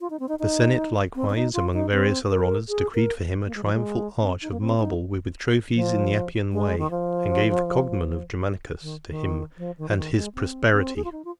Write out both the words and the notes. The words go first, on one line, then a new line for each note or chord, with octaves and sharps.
The senate likewise, among various other honours, decreed for him a triumphal arch of marble, with trophies, in the Appian Way, and gave the cognomen of Germanicus to him and his posterity.
F4
D#4
C4
D#4
D#4
C4
C4
D#4
F4
D#4
C4
A#4
G#4
A#4
A#3
G#3
F3
G#3
C4
D#4
A#3
C4
D#4
F3
G#3
D#3
F3
D#3
D#3
F3
D#3
F3
D#3
G#3
C4
C4
G#4
F4
D#4
F4